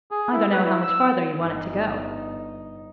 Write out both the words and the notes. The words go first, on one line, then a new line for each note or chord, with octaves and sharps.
I don't know how much farther you want it to go.'
G#4
E4
B4
E4
E6
G1 D#4